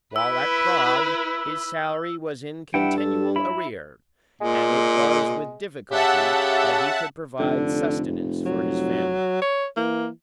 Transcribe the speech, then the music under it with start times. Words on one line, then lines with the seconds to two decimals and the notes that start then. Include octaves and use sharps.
While at Prague his salary was in continual arrear, and it was with difficulty that he could provide sustenance for his family.
0.16 E4 B4 E6
2.74 G2 E4 F#5 G5
2.98 A4
3.36 E4 B5
4.41 A#2 G#3
5.91 C#3 G4 E5 F#5 A5
7.40 F1 D3
8.46 F#3
9.42 C#5
9.77 E3 A#3